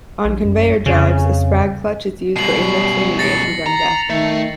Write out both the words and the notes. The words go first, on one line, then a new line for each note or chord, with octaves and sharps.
On conveyor drives, a sprag clutch is used for indexing and anti-runback.
A#1
F#2
F2 C#3
F#2 B2 G3 C7 F#7
A6 A#6 C#7
A#5
D#3 A3